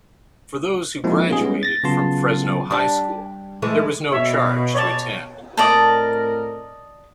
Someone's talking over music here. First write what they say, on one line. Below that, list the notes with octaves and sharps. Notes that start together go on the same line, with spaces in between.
For those who graduated from Fresno High School, there was no charge to attend.
F3 G#3 A#3 C4 D#4 E4
B3 C#4 D#4 F4 G4 G#4
G3 G#3 B3 C#4
A6 A#6
C#3 F#3 B3 F4 A5 C6
G3 D4
E3 G#3 A3
B2 C#5 E5
C#5 D5 A5
A2 C4 A#4 D5 D#5 A5